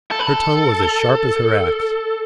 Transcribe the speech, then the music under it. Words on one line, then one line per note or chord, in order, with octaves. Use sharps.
Her tongue was as sharp as her axe.
A4
B4
A4